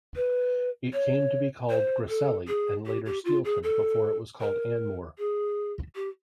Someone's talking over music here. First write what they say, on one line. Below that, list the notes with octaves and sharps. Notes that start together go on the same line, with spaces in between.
It came to be called Grasselli, and later Steelton, before it was called Anmoore.
B4
C#5
C5
A4
G#4
G4
G4
F4
G#4
A4
A#4
G#4
G4